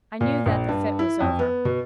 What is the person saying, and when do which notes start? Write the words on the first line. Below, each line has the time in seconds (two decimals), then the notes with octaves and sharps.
I knew that the fit was over.
0.21 A#2
0.46 A#1
0.69 G2
0.99 E4
1.20 F2
1.39 B3
1.65 B2